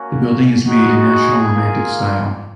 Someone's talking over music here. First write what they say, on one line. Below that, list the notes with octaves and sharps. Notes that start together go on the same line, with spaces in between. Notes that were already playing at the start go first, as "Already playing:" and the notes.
The building is made in national romantic style.
Already playing: A#3 C#4 F#4
G#3 D#4 F#4
G#4
A#3 F4